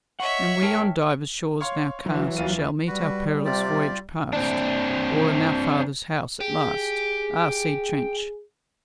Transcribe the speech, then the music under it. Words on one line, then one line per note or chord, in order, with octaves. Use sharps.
And we, on divers shores now cast, Shall meet, our perilous voyage past, All in our Father's house at last!' R. C. TRENCH.
C#5 D#5 E5 F#5 C#6
G#2 G#4 A#4 G5 A5 F6
C#5 F5 C6
E3 F#3
D#2 F4 D#7
G3 F#4 B4
C3 F4 G4 D5
C4 D4
G4 G#4